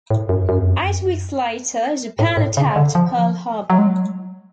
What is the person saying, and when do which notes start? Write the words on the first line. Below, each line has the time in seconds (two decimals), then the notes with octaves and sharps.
Eight weeks later, Japan attacked Pearl Harbor.
0.10 A2
0.29 F#2
0.49 F#2
0.59 F2
0.71 F#2
2.19 A2
2.37 A2
2.57 C#3
2.76 D3
2.95 F3
3.70 F#3
3.78 G#3
3.87 F#3